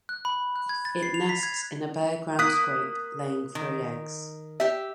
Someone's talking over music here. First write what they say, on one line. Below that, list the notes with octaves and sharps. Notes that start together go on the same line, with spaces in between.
It nests in a bare ground scrape, laying three eggs.
F#6
B5
F#6
G#6
A6
C7
F7
B6
G#6
A#3 D#6 F#6 B6
D#3
G4 E5